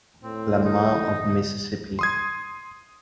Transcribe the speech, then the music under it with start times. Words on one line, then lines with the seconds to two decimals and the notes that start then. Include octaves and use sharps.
Lamar of Mississippi.
0.23 A2 C4
0.65 D#4
1.99 C6 D#6 G#6